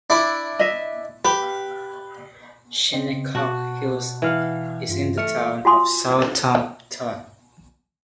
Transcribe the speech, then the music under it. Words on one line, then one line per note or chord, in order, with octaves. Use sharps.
Shinnecock Hills is in the Town of Southampton.
D4 E4
D#5 E5
G4 B4
C#3 C4 D#5
B2 F#4 A5 F#6
E3 F5 F#5
G2 F4
A3 F6 C#7
F4 F#4 G5 G#5 C6 D#6